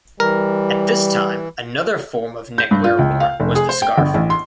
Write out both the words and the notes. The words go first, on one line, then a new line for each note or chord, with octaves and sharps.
At this time, another form of neckwear worn was the scarf.
E3 G3 A#4
G6
G2
F4
C#2
F5
F1
G#4
C5
G5
G1
A1
C6